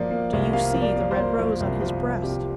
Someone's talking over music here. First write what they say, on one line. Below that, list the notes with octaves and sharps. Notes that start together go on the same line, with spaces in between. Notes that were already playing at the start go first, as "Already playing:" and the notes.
Do you see the red rose on his breast?
Already playing: F3 A#3 D5
A#3
C2
A#3 F5
F3
D5
A#3
C5
A#3
F3 A#4
C2
F3
C2
C3 G4